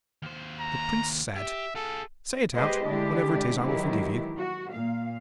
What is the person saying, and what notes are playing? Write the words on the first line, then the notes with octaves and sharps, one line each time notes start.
The Prince said, 'Say it out; whatever it is I will forgive you.'
D#2 C5
A#5
G4 E5
F4 G#4 A4
G#3 G4 G#4 B4 C5 D#5
D3 G#3 D4 E4 G4
D#3 E3 F#3 G#3 E4 G4
F#4
A#2 F5